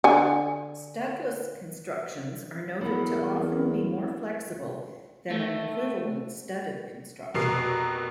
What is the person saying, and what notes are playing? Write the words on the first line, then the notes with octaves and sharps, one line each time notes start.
Studdless constructions are noted to often be more flexible than an equivalent studded construction.
D3 G#5
E2 E3 F#3 B3 E4 A#4
A3
F1 B2 A#4 C7